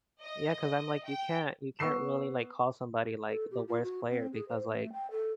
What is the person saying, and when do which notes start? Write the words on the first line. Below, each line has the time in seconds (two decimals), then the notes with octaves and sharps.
Yeah, 'cause I'm like, you can't you can't really like, call somebody, like, the worst player because, like,
0.22 D#5
1.05 G5
1.79 B3 C#6 E6 C7 E7
3.29 A4
3.51 G4
3.68 F4
3.83 F#4
4.10 C4
4.33 G#4
4.49 C5
4.71 A3
4.93 G5
5.11 A4